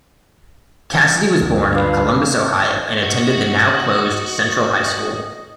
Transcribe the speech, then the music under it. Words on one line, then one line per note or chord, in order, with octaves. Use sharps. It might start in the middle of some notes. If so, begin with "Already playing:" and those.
Cassady was born in Columbus, Ohio and attended the now closed Central High School.
D2 D3 G3
D4 F4 B4 F5
F#4 D#5